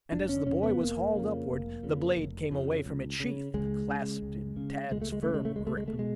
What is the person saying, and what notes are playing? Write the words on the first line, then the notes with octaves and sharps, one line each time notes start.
And, as the boy was hauled upward, the blade came away from its sheath, clasped in Tad's firm grip.
F1 D4
C#4
F2 C#3 C#4
B3
F1 A#3
F2 C#3
F1
F2 C#3
F1
F2 C#3
C#2
C#3
C#2 G#3
C#3
C#2
C#3
C#2 G#3
A3
G#3
C#3 A3
G#3
A3
C#2 G#3
A3
G#3
A3
B2
G#3